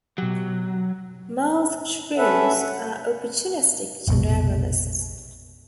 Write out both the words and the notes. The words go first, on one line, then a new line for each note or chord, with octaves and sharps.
Masked shrews are opportunistic generalists.
B2 F#3 G4
C#4 A4 B4 E5 F#5
F#5
F1 A#1 B2